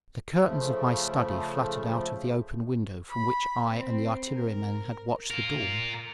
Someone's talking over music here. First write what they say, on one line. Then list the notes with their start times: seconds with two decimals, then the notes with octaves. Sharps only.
The curtains of my study fluttered out of the open window from which I and the artilleryman had watched the dawn.
0.42 C#3 F3 A3
3.09 B5
3.70 C4
4.32 A#4
5.31 F4 A#4